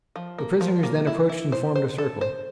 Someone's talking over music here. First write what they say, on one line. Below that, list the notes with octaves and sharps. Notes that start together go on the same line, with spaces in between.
The prisoners then approached and formed a circle.
F3
A#3
F3
A#3
E4
E4
C5
C5
A4
C5